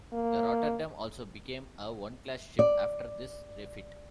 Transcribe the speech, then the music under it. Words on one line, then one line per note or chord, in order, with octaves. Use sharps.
The "Rotterdam" also became a one class ship after this refit.
A#3
D5